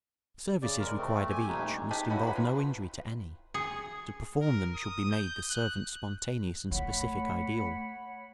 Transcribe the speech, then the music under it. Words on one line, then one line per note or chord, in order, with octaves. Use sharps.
The services required of each must involve no injury to any; to perform them should be made the servant's spontaneous and specific ideal.
C#3 D5
G#3 A#4
A3 C4
G4 G#5
F2 A#2 G3 A3 D4 D#4
G#3 D#4 G4 A5
C#4 E4 F#4
F#3 B4
F4
G#4
A#4
D#6
G6
F#6
A3 C#5 F#5 B5